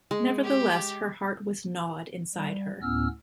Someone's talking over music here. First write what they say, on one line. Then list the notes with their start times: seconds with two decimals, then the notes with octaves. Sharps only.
Nevertheless her heart was gnawed inside her.
0.11 G#3
0.44 G4
2.35 G3
2.82 D2 A2 B3 C#4 E6 F6